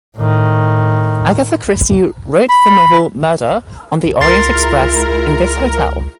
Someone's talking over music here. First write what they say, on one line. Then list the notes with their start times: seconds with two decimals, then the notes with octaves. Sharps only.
Agatha Christie wrote the novel "Murder on the Orient Express" in this hotel.
0.17 A2 D#3
2.49 B5
4.20 C#2 G#3 E4 F4 A#4 C6 A6 C7